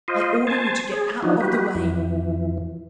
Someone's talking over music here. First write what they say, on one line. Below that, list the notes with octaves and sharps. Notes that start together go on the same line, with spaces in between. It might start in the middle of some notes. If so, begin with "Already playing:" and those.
I order you to get out of the way.
F4 C5 D#5
C5 G#5 A5
G#4
E3 F3 D4 D#4 F#4
F#4 G4 B4
F2 E3